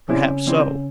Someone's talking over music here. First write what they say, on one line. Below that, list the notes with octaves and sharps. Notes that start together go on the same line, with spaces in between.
Perhaps so.
C#3 G3 C4 C#4 E4
G3 C4 E4